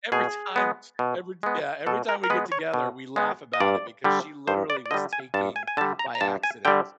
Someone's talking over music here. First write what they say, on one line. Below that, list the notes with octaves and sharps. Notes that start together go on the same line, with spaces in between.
every time every d yeah, every time we get together, we laugh about it, because she literally was taking by accident.
B2 G#4
G#3 B3
B2
G#3 B3
B2 A4
A#4
A#4
G#3 B3 B4
C#5
B2
G#3 B3
D#5
G2 D5
D3 G3
G2 C5
D5
D5
D3 G3 D#5
G#5
G2 A5
G#5
G#5
D3 G3 A5
A#5
A#5
G2 A5
G#5
D3 G3 G5